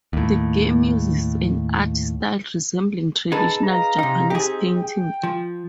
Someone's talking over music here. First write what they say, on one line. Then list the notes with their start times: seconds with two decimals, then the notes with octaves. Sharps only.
The game uses an art style resembling traditional Japanese painting.
0.13 D#2 A2
3.32 D#4 G#4 A4 B4 A5
3.63 D#5 F5 A#5
3.99 C3 D#4
4.30 C4 D#4 G4 G#4
4.78 G5
5.23 F3